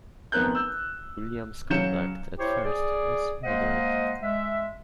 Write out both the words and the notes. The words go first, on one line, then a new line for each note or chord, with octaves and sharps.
William’s conduct at first was moderate.
F1 B3 C4 A#4 F#6 G6
E6 G6
C#3 F#3 G6 C#7 E7
E4 G4 C5 C#5
G#4 D5
G#3 A#3 C5 D#5 F5 F#5
G#3 E5